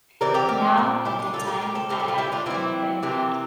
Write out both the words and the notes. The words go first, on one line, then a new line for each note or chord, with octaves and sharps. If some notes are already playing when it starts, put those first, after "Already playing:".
Now at the time I had an open mind.
E3 G3 C4 A#4 D5
G4 A#4
G4 A#4
A#2 F3 C4
E4 G4
D4 F4
A#2 G3 A#3 F4 A4
G4 A#4
G4 A#4
A4 C5
A#2 A3 C4 G4 A#4
G4 A#4
F4 A4
E4 G4
D4 F4
E3 A#3 C4 E4
C3 E3 A#3 C4